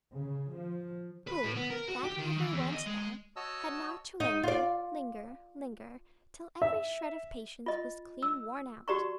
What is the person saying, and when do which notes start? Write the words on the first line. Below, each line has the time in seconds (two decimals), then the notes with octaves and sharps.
Who, that ever went there, had not to linger, linger, linger, till every shred of patience was clean worn out?
0.15 C#3
0.52 F3
1.28 B4
1.44 A2
1.56 B3
1.71 A#4
1.88 F#4
2.04 G4
2.17 D#3
2.37 E3
2.52 E2
2.73 D#5
2.86 G#3
3.36 F#4 C#5 D#5 A5 E6
4.20 D#4
4.43 F4 D5
6.62 E5
7.66 F4 D#5
8.23 E6
8.88 F#4 G4 D5 A#5 C#6